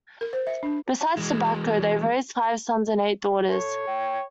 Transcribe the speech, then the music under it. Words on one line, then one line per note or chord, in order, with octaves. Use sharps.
Besides tobacco, they raised five sons and eight daughters.
A#4
C5
E5
D4
E3 G#3
A4 C#5
G5